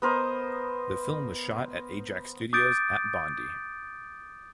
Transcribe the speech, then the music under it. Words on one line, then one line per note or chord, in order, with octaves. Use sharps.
The film was shot at Ajax Studios at Bondi.
B3 A#4 C5 D#5
D6 D#6 G6 A6 D7